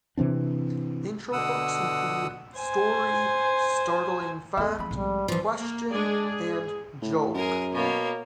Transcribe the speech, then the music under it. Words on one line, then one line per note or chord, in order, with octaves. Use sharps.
Intro hooks include "story", "startling fact", "question", and "joke".
C3 E3 C4 D4
B2 D3 F#5 D#6 E6
C5 G#5
E2 A3 A4 E5
F2 G#2 E3 B5
B1 B2 G3
D#2 E3 F3
A#3
G#3 D4 G#4 D5
G#4
A2
F#2 G#4 A#4
B2 A#3 C#5